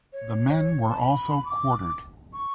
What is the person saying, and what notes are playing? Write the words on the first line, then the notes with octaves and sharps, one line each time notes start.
The men were also quartered.
C#5
A5
B5
D6
C#6